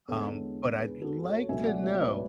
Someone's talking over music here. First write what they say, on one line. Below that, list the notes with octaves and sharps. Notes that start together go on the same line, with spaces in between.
um, but I'd like to know
E2 D3 G#3 A4 C#5
G#4 B4
F#4 A4
A4 C#5
C#2 B2 F#3 A3 E5 G#5
D5 F#5
C#5 E5
B4 D5